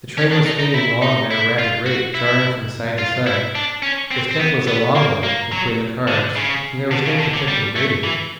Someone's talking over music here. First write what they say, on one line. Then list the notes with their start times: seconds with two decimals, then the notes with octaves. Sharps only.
The train was swinging along at a rapid rate, jarring from side to side; the step was a long one between the cars and there was no protecting grating.
0.18 C#4
0.32 D4
0.46 D#4
0.60 D#4
0.74 E4
1.02 D#4
1.31 E4
1.59 F4
1.86 F#4
2.15 E4
2.99 F4
3.27 E4
3.55 D4
3.83 C#4
4.11 C4
4.31 C4
4.39 B3
4.67 B3
4.95 A#3
5.23 A#3
5.52 F#3
6.08 D3
6.36 C#3
6.91 D3
7.06 C#3
7.20 D3
7.34 D3
7.48 G3
7.76 A3
8.04 E3